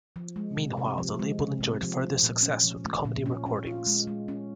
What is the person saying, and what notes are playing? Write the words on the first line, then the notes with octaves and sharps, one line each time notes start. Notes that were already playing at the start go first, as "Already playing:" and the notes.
Meanwhile, the label enjoyed further success with comedy recordings.
F3
G#3
C3
C3
F3
G#3
C3
C3
F3
A3
A#2
C#4
F3
A3
A#2
C#4
C#4
F4
G#3
G#3
C#4